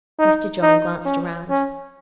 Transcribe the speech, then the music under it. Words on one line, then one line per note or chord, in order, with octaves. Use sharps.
Mr. John glanced round.
D#4
D#4
C#4
C#4